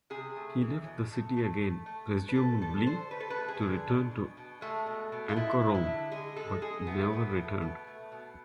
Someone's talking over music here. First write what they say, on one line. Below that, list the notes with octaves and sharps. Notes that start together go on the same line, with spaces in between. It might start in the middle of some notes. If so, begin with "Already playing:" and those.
He left the city again, presumably to return to Anchorome, but never returned.
C3 G#4
A3
E3
B2
A3
A3
A3
A3
B2
B4
A3 A4
D3 A4
D3 C5
A3 B4
A4
B4
A3
G#4
D3
B2
B2
B2
G#3 A3
B2
B2
F4
G#3 E4
G#3
E4
D3
G#3 G#4
G#3 A4
G#3 G#4
A3 B3
B2
A3
B2
A3
B2